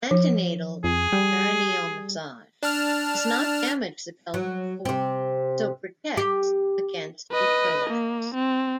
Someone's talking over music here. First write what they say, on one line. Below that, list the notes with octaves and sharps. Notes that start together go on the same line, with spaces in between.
Antenatal Perineal Massage does not damage the pelvic floor, so protects against a prolapse.
F3
F2 G#4
G3
D4 A5 F6
F#3
C3 C4
G4
B4 D#5
A#3
C4